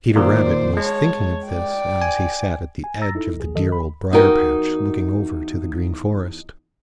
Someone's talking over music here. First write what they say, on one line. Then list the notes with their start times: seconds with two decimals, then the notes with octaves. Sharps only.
Peter Rabbit was thinking of this as he sat at the edge of the dear Old Briar-patch, looking over to the Green Forest.
0.16 A#2 D#3 C5 D5
0.77 G#3 C#5 A5
1.49 D5 G5
2.02 G#5
2.84 G#5
3.02 A#5 E6 A6 A#6
3.15 D#4 E4 A4
3.36 A#1 G#4
3.55 D#3 E3 F#3 A4 D#5
3.72 B5
4.12 E2 D#4 F#4 A#4 G5